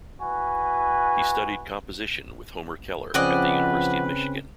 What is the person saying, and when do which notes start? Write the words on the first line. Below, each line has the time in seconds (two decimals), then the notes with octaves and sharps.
He studied composition with Homer Keller at the University of Michigan.
0.21 E4 F#4 B4 G#5
3.14 C#3 F3 C4 C#4 B4 D5 D#5 F#5